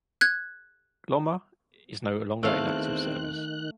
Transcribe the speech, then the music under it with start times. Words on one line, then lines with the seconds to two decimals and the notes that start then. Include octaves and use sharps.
"Glomma" is no longer in active service.
0.21 F#6 G#6
2.43 E2 D#3 A3 C4 F5 F#6